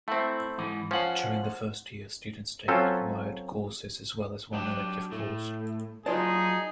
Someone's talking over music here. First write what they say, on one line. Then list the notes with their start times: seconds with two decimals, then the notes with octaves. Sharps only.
During the first year, students take required courses as well as one elective course.
0.08 A3 C4 E4
0.58 G#2 E3
0.91 F3 C#4 C5 F#5
2.68 F#3 C4 C#4 F4 A4 C5
4.53 F#3 D4 G4
5.11 A2 A3
6.06 F#3 D#4 F4 F#4 G#4 D5 A5